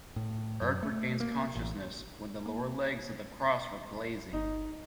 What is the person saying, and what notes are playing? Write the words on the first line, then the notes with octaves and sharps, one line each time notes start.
Erg regains consciousness when the lower legs of the cross were blazing.
A2
F#2
A3
A#3
A1
A#3
G1 D#4